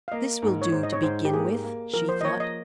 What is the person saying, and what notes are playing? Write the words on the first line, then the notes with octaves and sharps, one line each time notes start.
"This will do to begin with," she thought.
F5
A#3 D#5
G#2
C#5
G#2 C5
D#5
C#5
G#2 C5
G4
A#3 G#4
A#3
F3 A#4
C5
D#5
A#3 C#5
D#5